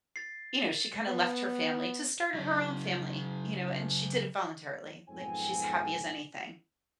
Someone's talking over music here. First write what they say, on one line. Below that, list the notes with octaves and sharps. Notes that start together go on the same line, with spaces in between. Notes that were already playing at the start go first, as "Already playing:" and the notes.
you know, she kinda left her family to start her own family, you know, and she did it voluntarily. Like, she's happy as anything.
A6 C7
B3
C#3 F#3
B1 F2 G#2 B3 C4 G#5